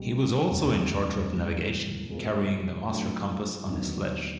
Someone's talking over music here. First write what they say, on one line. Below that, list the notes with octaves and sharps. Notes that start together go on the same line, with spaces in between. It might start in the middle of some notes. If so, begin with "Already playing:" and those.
He was also in charge of navigation, carrying the master compass on his sledge.
Already playing: C#2 B2 G3
F1 D#2 D3
G#2 E3 G3
B2 G#3 C4 F4 A#4
A2 F#3 A3 D4 F4
D#2 D3 F#3 B3 D#4